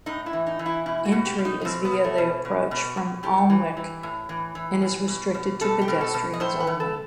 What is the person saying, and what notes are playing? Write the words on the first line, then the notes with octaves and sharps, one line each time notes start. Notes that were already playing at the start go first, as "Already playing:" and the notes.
Entry is via the approach from Alnwick, and is restricted to pedestrians only.
A2 D#4
E4
E3
D#4
E3
E4
B2 E4
F#4
B2
G4
B2
D#4
D#4
B2 C4
B3
B2
A3
B2
B2
B2
B2
A2 G4
E3
E3
A2
E3
E3
B2
B2
B2
B2 A4
G4
B2
A4
B2
D#5
A2 C5
B4
E3
A4